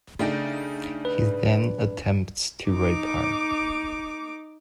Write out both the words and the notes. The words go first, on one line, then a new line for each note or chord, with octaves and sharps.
He then attempts to rape her.
C#3 A3 D4 D#4 D5 G5
B4
D#4 D6